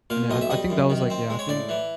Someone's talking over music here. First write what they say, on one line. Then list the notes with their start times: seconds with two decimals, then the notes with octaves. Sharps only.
And, yeah, I I think that was, like, yeah I think
0.10 A#2 F5
0.30 B1 D#5
0.41 E5
0.50 G3 D#5
0.70 F#2
0.90 D#3
1.10 C4
1.30 G#3
1.39 C#5
1.49 A2 D5
1.69 E3